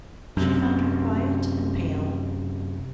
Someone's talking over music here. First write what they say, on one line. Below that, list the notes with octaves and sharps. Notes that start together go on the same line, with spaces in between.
She found her quiet and pale.
F#2 C3